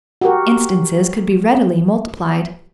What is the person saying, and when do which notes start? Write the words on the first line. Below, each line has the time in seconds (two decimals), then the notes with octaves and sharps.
Instances could be readily multiplied.
0.21 F#4 G4 A#4